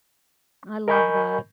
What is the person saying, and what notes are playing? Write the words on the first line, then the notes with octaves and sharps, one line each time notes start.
I love that.
A#4 D#5 G#5 B5 C#6 G6